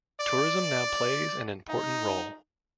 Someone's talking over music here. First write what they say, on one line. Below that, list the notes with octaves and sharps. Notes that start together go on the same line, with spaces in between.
Tourism now plays an important role.
D5
D#4